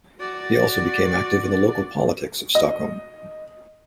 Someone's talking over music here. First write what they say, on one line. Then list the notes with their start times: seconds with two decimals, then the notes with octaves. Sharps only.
He also became active in the local politics of Stockholm.
0.20 F#4 D5
2.55 D#5